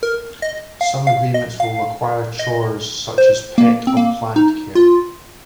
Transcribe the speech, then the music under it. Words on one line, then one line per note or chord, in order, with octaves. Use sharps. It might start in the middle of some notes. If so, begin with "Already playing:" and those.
Some agreements will require chores such as pet or plant care.
A#4
D#5
F5
F5
D#5
F5
D#5
C5
A#3
C4
A#3
D#4
F4